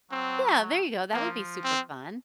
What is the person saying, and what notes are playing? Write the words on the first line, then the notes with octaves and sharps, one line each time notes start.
Yeah, there you go, that would be super fun.
F#3 C4
F3 A#3
C4